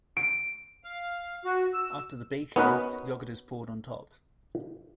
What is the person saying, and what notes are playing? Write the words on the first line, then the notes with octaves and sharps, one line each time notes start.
After the baking yogurt is poured on top.
D7
F5
F#4
E6
B3 C#4 D#4 F#4 A#4 B4